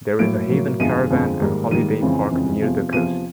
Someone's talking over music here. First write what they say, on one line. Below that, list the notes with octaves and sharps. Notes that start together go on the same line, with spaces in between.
There is a Haven caravan and holiday park near the coast.
A2 F#3 A#3 D7
A2 F#3 A#3
G1 F2 D3 F3 G#3 D#7
G1 F2 D3 F3 G#3
G#2 D#3 G3 A#3
G#2 D#3 G3 A#3 D#7
F2 C#3 E3 G#3 C4
F2 C#3 E3 G#3 C4
E2 C3 F3
E2 C3 F3 D#7